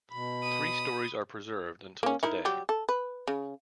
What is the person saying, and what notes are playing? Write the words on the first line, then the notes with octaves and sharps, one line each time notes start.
Three storeys are preserved until today.
B2 B5
D#6
A#3 C#4
D#4 E4 A#4
F#3 G3 G4
A4
B4
C#3